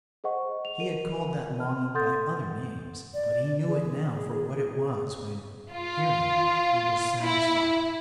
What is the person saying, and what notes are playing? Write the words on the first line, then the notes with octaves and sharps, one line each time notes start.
He had called that longing by other names, but he knew it now for what it was when, hearing, he was satisfied.
G#4 C5 D#5 F#5 C#6
F7
G#4 A#4 D#7
F6
A4 F#5 C6 D#6 G6 A6
D5
G#4
F4
E4